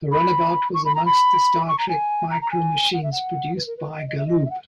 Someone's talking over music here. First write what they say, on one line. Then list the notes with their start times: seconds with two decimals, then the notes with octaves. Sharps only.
A runabout was amongst the "Star Trek" Micro Machines produced by Galoob.
0.11 B5
0.74 C#6
0.85 B5
0.95 A#5
1.05 B5
1.68 C#6
1.79 A#5
1.89 G#5
2.31 A#5
2.42 A#5
2.51 G#5
2.93 F#5
3.03 E5
3.12 F#5
3.56 B4
3.67 A#4
3.77 B4
3.98 D#5
4.08 D#5
4.18 E5
4.27 D#5
4.45 E5
4.50 F#5